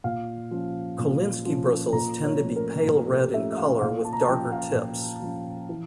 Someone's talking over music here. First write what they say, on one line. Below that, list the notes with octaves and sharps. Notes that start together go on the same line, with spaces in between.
Kolinsky bristles tend to be pale red in colour with darker tips.
A#2 F5
F3 C#4
A#2
F3 C#4
A#2 A#5
C#5
F3 A3 C#4
A#4
A#2 A4
G4
F3 A3 C#4 E5
E5
F5
A#2 F5
A5
A#5
A5
F3 C#4 G5
F5
A#2
F3 C#4
E3